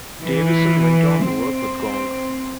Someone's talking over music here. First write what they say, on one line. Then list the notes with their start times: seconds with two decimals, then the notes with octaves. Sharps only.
Davison went on to work with Gong.
0.23 E3
1.26 C4